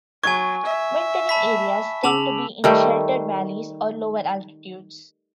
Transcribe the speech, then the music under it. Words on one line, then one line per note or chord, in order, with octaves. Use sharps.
Wintering areas tend to be in sheltered valleys or lower altitudes.
F#3 G#5 C#6 G#6
E5
A5 B5 B6
C#3 A5 D6 E6 F7 F#7
D#3 G3 A3